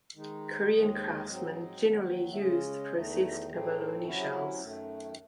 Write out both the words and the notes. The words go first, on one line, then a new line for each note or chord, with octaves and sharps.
Korean craftsmen generally use the processed abalone shells.
D#3 G#3 D#4
D#2 D#3 G#3 D#5
G#2 F#3 C4 D#4
D#2 D#3 F#3
E5
C#3 G#3 C#4 D#5
E2 D#3 A3 D#4
A2 E3 A3 C4 D#4 G#4
C3 F#3 C#4 E4 F#4
G#4
F#4
F#2 D#3 A3